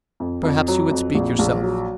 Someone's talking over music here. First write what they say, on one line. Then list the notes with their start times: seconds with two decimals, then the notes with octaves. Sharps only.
'Perhaps you would speak yourself?'
0.20 F2
0.43 F2
0.68 F#3
0.91 F2
1.15 A#1
1.39 A#1
1.63 F#3